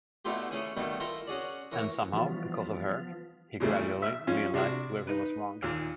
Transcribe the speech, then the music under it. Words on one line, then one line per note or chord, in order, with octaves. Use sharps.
And somehow, because of her, he gradually realised where he was wrong.
B2 D3 A3 E4 F4 G4
A3 C#4 G#4 F5 G#5
B2 D#3 G3 A3 D#4
E4 F4 A4 A#4 E5 G5
C#4 F#4 G#4 D5
E3 A#4 C#5
E3 F3 G3 B3 D4 F4 F#4
A#2 C#3 G3 A3
E5 E6
F3 C#4 F4
C3 D4 F#4
D#4 B4
D#2 A#2